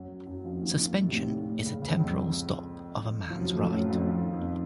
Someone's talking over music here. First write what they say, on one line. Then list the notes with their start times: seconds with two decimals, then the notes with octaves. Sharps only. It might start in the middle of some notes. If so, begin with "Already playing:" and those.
Suspension is a temporal stop of a man's right.
Already playing: F#2 F#3
0.26 F#2 F#3
0.44 F2 F3
0.62 D#2 D#3
0.78 D#2 D#3
0.96 A2
1.08 C3
1.13 A#2
1.30 A2
1.48 A#2
1.65 C#2 C#3
1.82 C#2 C#3
1.99 F2 F3
3.30 F3
3.37 F#2 F#3
3.55 A2 A3
3.65 F3
3.72 F#2 F#3
3.89 F2 F3
4.07 F3
4.20 D#3
4.33 F2 F3